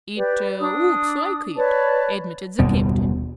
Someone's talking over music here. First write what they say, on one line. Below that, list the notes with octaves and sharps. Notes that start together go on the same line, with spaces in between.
"It looks like it," admitted the Captain.
G4 B4 D5
D4 D#6
B4 C#5 D5 A5
F#1 D#2 B2 G3